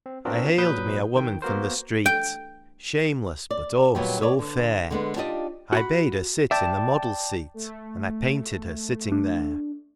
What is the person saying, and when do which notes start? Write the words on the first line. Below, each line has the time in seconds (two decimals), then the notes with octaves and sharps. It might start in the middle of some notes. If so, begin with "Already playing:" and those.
I haled me a woman from the street, Shameless, but, oh, so fair! I bade her sit in the model's seat, And I painted her sitting there.
0.06 C4
0.25 B3 C4 D4 F4 F#4 A#4
0.58 A#2 F#3 B4 D#6 G6
1.16 D#3 G5
1.42 A#3 B3 F#4 A#4 C5
2.06 G5
3.51 D5
3.95 D#2 A#2 F#3 G3 B3
4.20 B4 C#5 D5
4.39 D3
4.91 D3 G#3 B3
5.16 D4 D#4 F4 G4 D5 D#5
5.73 F#4 F#5 B5
6.51 D5 E5 G5 A5
7.54 A3
9.12 D4